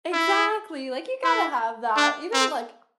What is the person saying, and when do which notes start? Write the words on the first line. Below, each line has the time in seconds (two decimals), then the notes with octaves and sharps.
Exactly like you gotta have that even like.
0.13 E4
1.24 E4
1.97 D4
2.34 C4